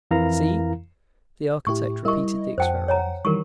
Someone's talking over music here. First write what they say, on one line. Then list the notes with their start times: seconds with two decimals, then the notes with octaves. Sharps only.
"See?" The architect repeated the experiment.
0.11 F2 E3 E4 A#4 F5 A#5
1.67 A2 E4 G4 C#6
2.05 G3 E4 A#4 D#5 C#6
2.58 F2 C5 F#5 G5 A5
2.88 C#5 G#5 A#5
3.25 D#3 E3 G3 A#4 C#6